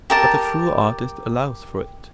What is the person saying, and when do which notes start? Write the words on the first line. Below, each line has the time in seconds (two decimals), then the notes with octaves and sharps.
But the true artist allows for it.
0.10 G4 A#4 A5